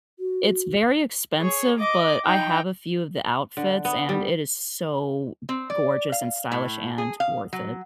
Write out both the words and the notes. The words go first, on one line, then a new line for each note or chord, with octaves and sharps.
it's very expensive, but I have a few of the outfits, and it is so gorgeous and stylish and worth it.
F#4
G#4 C#5
D#5 D6
D#4 G5
D3
B3
G3
C4
D5
F5
A2
G#4
F5
F#3